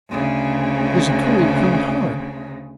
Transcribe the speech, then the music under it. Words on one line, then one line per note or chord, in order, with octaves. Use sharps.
There's a courier coming--hard!
D2 C#3